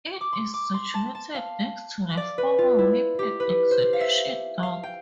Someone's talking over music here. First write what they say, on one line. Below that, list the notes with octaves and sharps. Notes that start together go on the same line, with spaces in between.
It is situated next to the former Wapping Execution Dock.
D6
C6
D6
C6
A5
A5
F5
D5
B4
F4
E4
G4
B4
C5
F5
E5
F5
G5